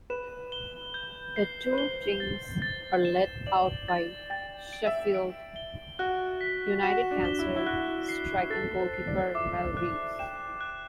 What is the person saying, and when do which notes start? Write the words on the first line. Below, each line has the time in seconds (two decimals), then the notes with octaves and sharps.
The two teams are led out by Sheffield United's cancer-stricken goalkeeper Mel Rees.
0.10 B4 E7
0.52 G7
0.94 G6
1.36 C7
1.73 B4
1.78 C5 G7
2.20 A6
2.62 A6
3.05 E7
3.46 D5 F#7
3.88 A6
4.30 G5 A6
4.73 D7
4.87 E5
5.14 D7
5.56 G7
5.99 F#4 F#6
6.41 B6
6.83 F#4 E7
7.11 D4
7.25 G7
7.39 E4
7.56 E4
7.66 F#4 F#6
8.09 C7
8.50 A4 A6
8.79 C5
8.93 C7
9.07 D5
9.34 E5 D6
9.77 F#6
10.19 G5 E7
10.61 F#6